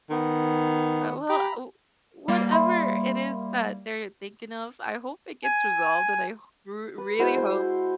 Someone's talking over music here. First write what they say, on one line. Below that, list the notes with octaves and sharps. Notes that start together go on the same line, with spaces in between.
Uh, well, u whatever it is that they're thinking of, I hope it gets resolved and I h r really hope
D#3 B3
G4 A#5 B5
G3 A#3
E5 B5 C6
G#5
B4
G#3 E4 F#4 C5
C5